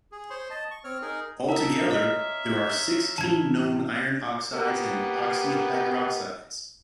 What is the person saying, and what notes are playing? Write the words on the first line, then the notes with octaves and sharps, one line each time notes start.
All together, there are sixteen known iron oxides and oxyhydroxides.
G#4
C5 C#5 C6
D#5 A5
C#6
C4 C#5 F6
D#4 G#4 A#4
A#3 E5 A5 A#5 D#6
C#5 D#5 E5 D#6 F6
A1 A5 G#6 E7
A#3 B3 G4